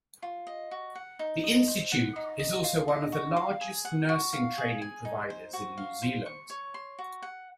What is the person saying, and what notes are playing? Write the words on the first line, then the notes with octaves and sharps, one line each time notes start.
The Institute is also one of the largest nursing training providers in New Zealand.
F4
D#5
F#4
F#5
D#4
D#5
C5
F#5
D#4
D#5
F4
D#5
F#4
F5
G#4
F#5
F#4
F5
G#4
G#5
D#4
C5
F#4
F5
C5
C#6
C#5
C6
F#4
F#5